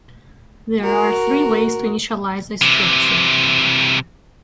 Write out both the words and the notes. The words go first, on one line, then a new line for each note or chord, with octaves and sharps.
There are three ways to initialize a structure.
F#4 A#4
C3 E3